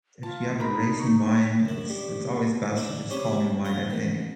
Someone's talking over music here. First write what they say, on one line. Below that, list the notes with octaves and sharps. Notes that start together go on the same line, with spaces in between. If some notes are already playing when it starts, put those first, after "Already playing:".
if you have a racing mind, it's it's always best to just calm your mind, I think,
F4 A5
D#4 A#4 A#5 B5
C#6
F#2 E4
A2 G3
D4 E4
C4 C#4 G4 C#5 B5
F4 F#5
A1 D#3